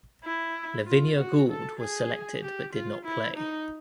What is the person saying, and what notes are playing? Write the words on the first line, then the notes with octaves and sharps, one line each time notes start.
Lavinia Gould was selected but did not play.
E4
F4
F#4
A4
G#4
G4
F4
E4
D#4